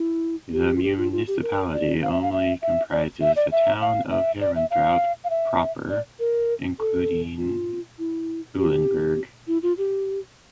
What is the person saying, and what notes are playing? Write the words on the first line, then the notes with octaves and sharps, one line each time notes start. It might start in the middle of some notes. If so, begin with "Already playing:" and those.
The municipality only comprises the town of Herenthout proper, including Uilenberg.
Already playing: E4
G4
F4
G4
F4
F4
G4
A#4
D5
F5
E5
F5
E5
E5
D5
E5
D5
E5
F5
E5
D5
E5
F5
F5
E5
D5
A#4
A4
F4
E4
G4
E4
F4
G4